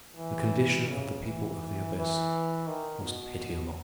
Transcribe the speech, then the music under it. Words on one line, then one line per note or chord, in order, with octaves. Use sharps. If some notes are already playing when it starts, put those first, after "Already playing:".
The condition of the people of the abyss was pitiable.
E3
C#3
E3
E3
D#3
B2